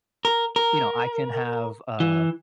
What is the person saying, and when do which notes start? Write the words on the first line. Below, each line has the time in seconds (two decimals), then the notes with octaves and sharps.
you know, I can have, uh
0.25 A#4
0.56 A#4
2.00 E3